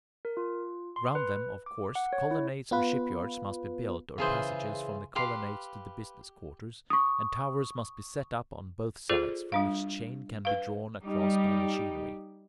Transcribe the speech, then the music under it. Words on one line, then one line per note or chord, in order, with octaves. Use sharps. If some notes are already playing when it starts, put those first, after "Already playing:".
Round them, of course, colonnades or shipyards must be built, or passages from the colonnades to the business quarters, and towers must be set up on both sides, from which chains can be drawn across by machinery.
A#4
F4
C6
B4
D6
F#5
C#5
E4
B3 F4 B4
C#3 E3 F4 G#4 C5
G4 B4 F5 C6
C#6 D#6
F4 G#4 A4 C5 D5
G3 D4 F5
B4 F5
G3 D#4 G4